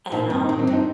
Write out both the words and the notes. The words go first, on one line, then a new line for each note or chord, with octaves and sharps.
And, um,
A#2 A#3 D#4
G2 C4
A#2 D#4
C4
G2
D#4